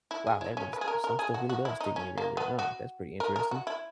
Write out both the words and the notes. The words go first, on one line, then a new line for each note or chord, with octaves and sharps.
Wow, that really s some stuff really does stick in your memory, huh? That's pretty interesting.
E4
G#4
E4
C#4
B4
G#4
A#4
A#4
G#4
F#4
F#4
E4
D#4
C#4
A#3
B3
F#4
A#4
A#4
F#4
E4